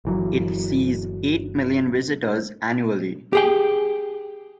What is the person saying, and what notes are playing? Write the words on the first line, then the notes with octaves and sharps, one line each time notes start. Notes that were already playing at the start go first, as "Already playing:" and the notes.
It sees eight million visitors annually.
G1 E3 F#3
G4 G#4 G5